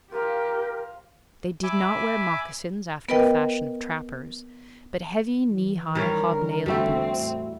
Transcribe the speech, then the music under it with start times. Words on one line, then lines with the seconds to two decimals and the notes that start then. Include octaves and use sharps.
They did not wear moccasins after the fashion of trappers, but heavy, knee-high, hobnailed boots.
0.12 F4 G4 A#4 C5 F5
1.63 E5 G#5 B5 D6
3.09 B3 A#4 B4 D#5 G5
5.50 E3
5.95 D#3 G3 C#4 A#4
6.30 D3
6.66 E2 G3 A3 C4 F#4 G4 E5
7.17 A2